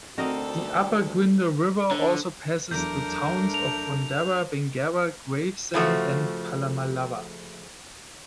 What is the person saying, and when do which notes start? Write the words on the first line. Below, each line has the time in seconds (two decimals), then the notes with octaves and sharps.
The upper Gwydir River also passes the towns of Bundarra, Bingara, Gravesend, and Pallamallawa.
0.18 D2 C4 D#4 F#4 A4 A#4 D5 D#5
1.91 D3
2.71 E2 F#3 A3 D4 A#4 D6 G6
3.54 F7
5.74 C#3 F3 A3 F#4